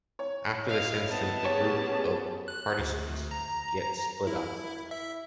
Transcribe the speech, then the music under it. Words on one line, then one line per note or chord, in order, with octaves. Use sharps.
After this incident, the group of partisans gets split up.
C#5
E4 D#5 F5
B3 A5
C#4 G4 G#4 C#5
F#6
D2
A#5
E4
E5